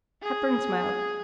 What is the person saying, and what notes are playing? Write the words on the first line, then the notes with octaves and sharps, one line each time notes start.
Hepburn smiled.
G#4